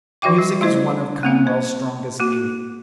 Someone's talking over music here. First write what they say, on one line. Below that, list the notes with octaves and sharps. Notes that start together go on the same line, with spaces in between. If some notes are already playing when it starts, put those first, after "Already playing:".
Music is one of Conwell's strongest aids.
E3 F3 F#4 E5 G5 D6
G3
A3 E4 C5 D#5
A#3 C4 F#5
C5
A#3 F#4